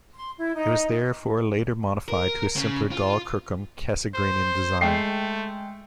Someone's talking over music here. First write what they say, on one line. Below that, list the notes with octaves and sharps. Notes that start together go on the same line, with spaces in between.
It was therefore later modified to a simpler Dall-Kirkham Cassegrainian design.
C6
E4
D#4
A#4
C#3
F4
C5
G#3 A3 G5 C7